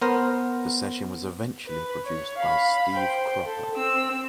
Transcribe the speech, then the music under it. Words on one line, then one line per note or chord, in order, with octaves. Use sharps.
The session was eventually produced by Steve Cropper.
B3 A#4 C5
B4
C#5
F5 B5
C5 G5
A4
C4 E6